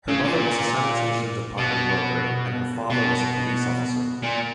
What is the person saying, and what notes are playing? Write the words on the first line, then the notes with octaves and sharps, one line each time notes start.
Her mother was a sanitation department worker and her father was a police officer.
C#3
A#2
B2
B2
A#2